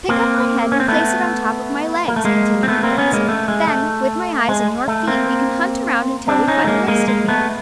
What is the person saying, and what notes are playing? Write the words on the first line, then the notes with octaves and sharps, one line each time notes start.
"Pick up my head and place it on top of my legs," continued the Prince; "then, with my eyes and your feet, we can hunt around until we find the rest of me."
A#3 C4
C#4
C4
A3 B3
A#3
A3
G#3 A#3
C4
A3 B3
A#3 C4
B3 C#4
G#3 A#3
A3
G#3
A3
G#3
A3
A#3 C4
C4 D4
C#4 D#4
A3
G#3 A#3
G#3 A#3
G#3 A#3
A3 B3